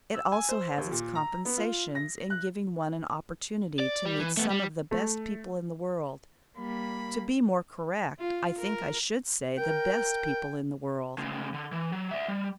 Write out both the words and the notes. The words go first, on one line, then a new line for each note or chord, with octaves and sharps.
It also has its compensations in giving one an opportunity to meet some of the best people in the world--to be more correct, I think I should say the best people in the world.
E6
G#5
C5
D#2
A#2
A#5
B3
F4
A#6
F#6
D5
G3
E3
A3 B3
G3
A3
G3 A#3 B5
F4
A#4
A#4 G5
D2 C#3
D3
E3
F#3
D5 E5
G3